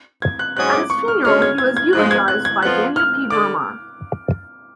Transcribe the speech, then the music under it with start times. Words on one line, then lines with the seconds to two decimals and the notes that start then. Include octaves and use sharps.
At his funeral, he was eulogised by Daniel P. Virmar.
0.22 G#6
0.39 F#6
0.56 G#2 F#3 C#4 G#4 F#6
0.73 D6
0.90 C#6
1.08 F6
1.24 D2 C#3 G#3 C#4 F6
1.42 G#6
1.58 G#6
1.77 G#6
1.93 G#2 F3 G#3 F#6
2.06 F#6
2.11 G#6
2.28 F#6
2.45 G#6
2.62 F2 F3 B3 F4 F#6
2.96 F6
3.30 D3 D6